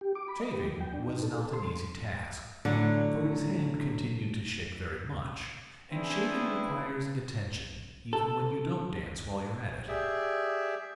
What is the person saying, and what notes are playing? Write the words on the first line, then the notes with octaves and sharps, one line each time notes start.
Shaving was not an easy task, for his hand continued to shake very much; and shaving requires attention, even when you don't dance while you are at it.
G4
D6
B5
D#5
G4
F#3
G5
D4
D#4
A4
A4
C6
A2 D3 F#3 D4
B3 C4 D4 E4 G#4
A4
G4 G#4 D5 E5